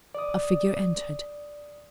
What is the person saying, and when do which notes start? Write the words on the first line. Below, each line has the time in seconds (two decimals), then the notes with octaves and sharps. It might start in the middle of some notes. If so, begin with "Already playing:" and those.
A figure entered.
0.15 D5 D#6